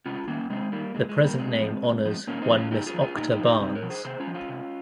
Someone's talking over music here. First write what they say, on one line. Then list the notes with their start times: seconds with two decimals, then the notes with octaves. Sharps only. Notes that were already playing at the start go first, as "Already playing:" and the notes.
The present name honors one Miss Octa Barnes.
0.06 C3 C#4 F4
0.27 D#3 A#3 C#4
0.50 C3 G#3 C4
0.72 D#3 G3 A#3
0.94 A#2 G#3
1.09 G#3
1.16 F3
1.24 G3 A#3
1.38 A#2 G#3 C4
1.61 F3
1.83 A#2
2.05 F3
2.27 A#2 A#3 C#4
2.42 C4 D#4
2.49 F3
2.57 C#4 F4
2.71 A#2 D#4 G4
2.86 F4 G#4
2.94 F3
3.01 F4 G#4
3.16 A#2 D#4 G4
3.31 D#4 G4
3.38 F3
3.46 D#4 G4
3.60 C3 C4 D#4
3.75 A#4 C#5
3.83 F3
3.90 G#4 C5
4.05 C3 G#4 C5
4.20 C#4 F4
4.27 F3
4.34 C#4 F4
4.49 C3